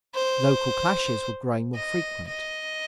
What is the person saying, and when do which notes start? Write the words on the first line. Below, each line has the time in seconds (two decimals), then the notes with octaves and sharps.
Local clashes were growing more frequent.
0.14 C5
1.75 D#5
2.28 D#5